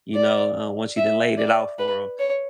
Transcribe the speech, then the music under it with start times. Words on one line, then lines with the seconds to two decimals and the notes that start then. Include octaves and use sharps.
you know, uh, once you done laid it out for 'em.
0.15 D5
0.97 E5
1.37 D5
1.79 B4
2.19 C#5